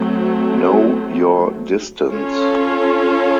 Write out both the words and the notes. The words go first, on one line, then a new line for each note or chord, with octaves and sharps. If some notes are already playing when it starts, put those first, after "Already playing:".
Know your distance.
Already playing: F#3 A3 C4
C#4 F4 A4 C#5